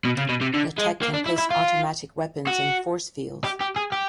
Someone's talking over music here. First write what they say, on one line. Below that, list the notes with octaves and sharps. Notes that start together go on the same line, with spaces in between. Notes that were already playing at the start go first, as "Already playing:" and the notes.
The Tech can place automatic weapons and force fields.
B2
C#3
B2
C3
D3
G#3
A#3
D4
E4
E4
F4
F#4
G4
G4
G#4
G4